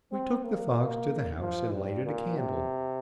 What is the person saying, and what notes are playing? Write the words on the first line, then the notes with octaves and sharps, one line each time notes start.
We took the fox to the house and lighted a candle.
C4
A#3
F3
G2
A#2
C3